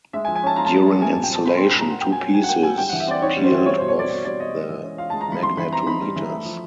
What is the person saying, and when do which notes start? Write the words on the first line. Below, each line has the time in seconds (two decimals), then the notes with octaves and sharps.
During installation, two pieces peeled off the magnetometers.
0.13 G#3 E5
0.25 G#5
0.28 F3
0.36 G#5
0.43 C#4 A5
0.56 F4 A#5
0.66 A5
0.72 G#3
0.87 F3
1.02 G3 G#5
1.12 A#2 A5
1.24 G5
1.31 C4 A5
1.46 F4 B5
1.57 G3 C6
1.68 B5
1.76 A#2 A#5
1.90 A#3 F#5
2.01 F#3 G5
2.12 G#5
2.19 C#4
2.34 F#3 G#5
2.44 F#5
2.49 A#3 G5
2.63 F#3 G#5
2.78 G3 G5
2.89 E3 F#5
3.00 E5
3.07 C4 D5
3.22 D#4 C#5
3.37 G3
3.44 C5
3.52 E3
3.66 G3 C#5
3.77 B2 C5
3.88 C#5
3.96 C4 D5
4.10 B2
4.25 G3 D5
4.40 B2 D#5
4.55 G#3
4.69 E3
4.83 C#4
4.98 F4 F5
5.10 G#3 A5
5.21 A#5
5.28 E3 B5
5.43 G3 C6
5.57 E3 B5
5.72 C4 A#5
5.86 D#4 B5
6.01 G3
6.16 E3
6.31 A3
6.45 F3